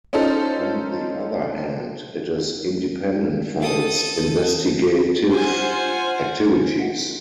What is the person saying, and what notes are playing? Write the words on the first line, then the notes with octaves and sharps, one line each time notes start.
On the other hand, it is independent for its investigative activities.
C#4 D#4 F4 A4 C5
A4 D#6
F4 C5 F#5 G#5